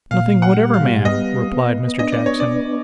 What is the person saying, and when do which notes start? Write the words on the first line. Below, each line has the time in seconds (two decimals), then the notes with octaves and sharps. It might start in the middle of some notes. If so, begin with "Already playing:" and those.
'Nothing whatever, ma'am,' replied Mr. Jackson.
0.11 A#2 F5
0.42 F#5
0.58 G3
0.74 F5
1.05 B3 D#5
1.52 B3
1.99 D4 D#5
2.12 D5
2.26 C#5
2.40 D5
2.46 B3